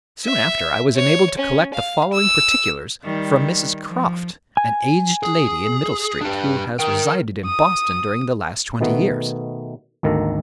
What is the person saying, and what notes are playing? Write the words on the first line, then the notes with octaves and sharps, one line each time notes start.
Soon after I was enabled to collect the following particulars from Mrs. Croft, an aged lady in Middle Street, who has resided in Boston during the last twenty years.
E5
C#5
C#4
F5
E6
D#3 G3
F3
G#5
G#4
D4 G4
A#4 G5
D#6
B2 D#3 A3 B3
G#1 D2 D#3 A#3 A4 A#5